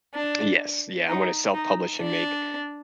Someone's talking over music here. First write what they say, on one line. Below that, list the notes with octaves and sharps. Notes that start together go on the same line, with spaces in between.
Yes yeah, I'm gonna self-publish and make
D4
D#4
D#4
D4